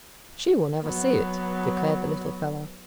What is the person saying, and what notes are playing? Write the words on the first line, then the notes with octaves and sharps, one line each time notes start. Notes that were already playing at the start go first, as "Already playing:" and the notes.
"She will never see it," declared the little fellow.
F#3 B3